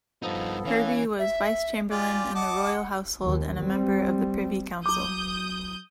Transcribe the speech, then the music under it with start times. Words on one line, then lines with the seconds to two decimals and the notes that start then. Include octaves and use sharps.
Hervey was vice-chamberlain in the royal household and a member of the Privy Council.
0.23 G2 F3 B3 D#4 A4
0.65 E3 C#4 F5
1.19 E5
1.91 F4 G4 D5 G#5
2.35 D#5 F#5 A5 D6
3.23 D#2
3.63 G3 C4
4.86 F#3 E4 D6 D#6 G6